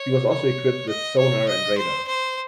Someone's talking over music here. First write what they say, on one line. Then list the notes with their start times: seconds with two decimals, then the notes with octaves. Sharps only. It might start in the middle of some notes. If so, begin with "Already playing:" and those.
She was also equipped with sonar and radar.
Already playing: C#5
0.30 C#5
0.88 D#5
1.18 C#5
1.48 D#5
1.77 C5
2.07 C5